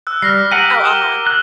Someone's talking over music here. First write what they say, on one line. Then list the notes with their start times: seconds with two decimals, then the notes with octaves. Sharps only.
Oh, uh-huh.
0.07 E6 F#6
0.22 G3 F6 A#6 C7
0.52 G4 A#4 F#5 D#7
0.85 E7 G7
1.27 F#6